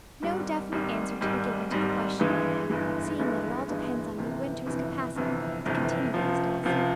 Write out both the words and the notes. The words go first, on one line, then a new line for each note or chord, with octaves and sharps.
No definite answer to be given to the question yet, seeing that it all depends on Midwinter's capacity to continue at his desk.
G#1 G#2 G3
G#1 G#2 G3
G#1 G#2 G3
G#1 G#2 G3
G1 G2 E3 G#3
G1 G2 E3 G#3
G1 G2 E3 G#3
G1 G2 E3 G#3
G1 F2 C3 E3
G1 F2 C3 E3
G1 F2 C3 E3
G1 F2 C3 E3
C#2 C3 F3
C#2 C3 F3